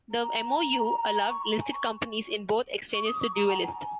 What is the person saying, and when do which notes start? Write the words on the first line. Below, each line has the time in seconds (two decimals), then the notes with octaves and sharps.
The MoU allowed listed companies in both exchanges to dualist.
0.12 A#5
1.29 C#6
1.44 A#5
1.59 G#5
1.74 C#6
2.94 C#6
3.06 D#6
3.20 C#6
3.35 A#5
3.50 F#5
3.59 A#5
3.65 G#5
3.72 A#5
3.79 G#5